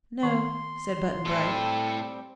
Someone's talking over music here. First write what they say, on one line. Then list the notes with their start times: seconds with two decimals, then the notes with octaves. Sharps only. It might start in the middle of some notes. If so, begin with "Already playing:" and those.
"No," said Button-Bright.
0.23 D#3 B3 C6
1.25 A2 G3 C4 A4